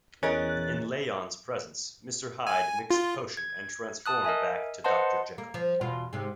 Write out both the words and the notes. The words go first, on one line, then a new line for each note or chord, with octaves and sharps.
In Lanyon's presence, Mr. Hyde mixed the potion and transformed back to Doctor Jekyll.
E2 E3 C#4 G#4 A#4 D#5 F#6 A6
G#5
F4
G#6
A5 D#6 F#6
A#4 D#5 E5 G#5
B4 C5 D#5 F#5 A5 C6
A#3
F3
E2 B2 F4
G#2 C3